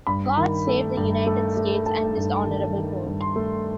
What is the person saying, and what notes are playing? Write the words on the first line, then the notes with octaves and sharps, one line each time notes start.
God save the United States and this Honorable Court.
G2 B5
D#3
A3
G2
A3
A3
A3 A5
G2
D#3
D#3
G2
C6
A3